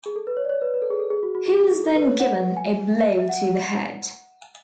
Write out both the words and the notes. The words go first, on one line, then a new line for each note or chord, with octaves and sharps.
He was then given a blow to the head.
G#4
A4
B4
C#5
D5
C#5
B4
B4
A4
G#4
A4
G#4
F#4
F#4
G#4
F#4
G#4
A4
B4
C#5
F#5
G#5
E5
F#5